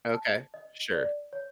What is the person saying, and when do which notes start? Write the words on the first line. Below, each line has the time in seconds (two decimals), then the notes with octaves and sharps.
Okay. Sure.
0.14 A5
0.54 D#5
0.94 D5
1.33 C#5